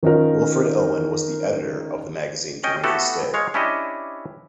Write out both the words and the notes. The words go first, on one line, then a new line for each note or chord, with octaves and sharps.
Wilfred Owen was the editor of the magazine during his stay.
D#3 C#4 D#4 F4 A#4
C#4 D#5 G5
A3 B3 E4 F#4 G4 A4
G#3 C#5 F5
C#4 D4 E4 G4 C#5 D#5